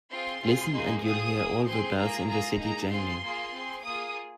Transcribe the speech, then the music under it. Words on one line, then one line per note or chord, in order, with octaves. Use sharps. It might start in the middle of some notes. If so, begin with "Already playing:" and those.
Listen and you'll hear all the bells in the city jangling.
C4 F4 G#4 C6
C4 F4 G#4
A#3 D#4 G#4
C4 F4 G#4 D#6
A#3 G#4
C4 G#4 C6
A#3 F4 G#4 A#5
A#3 F4 G#4 A#5
A#3 D#4 G#4 A#5
C4 F4 G#4 C6
A#3 F4 G#4
C4 G#4
A#3 F4 G#4 D#6